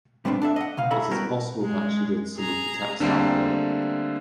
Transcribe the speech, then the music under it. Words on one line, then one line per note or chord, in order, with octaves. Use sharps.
It is possible that she did some of the textile work.
A2 G3 B3 C4 D4
D4 A4 E5
D#5 F#5
C#2 B2 F5
C#4 E4 A4 E5 A#5 B5
G3 B3 E4 F#4 A#4 G5
G#3
G#4 A#5
D3 G3 A3 A#3 C4 G#4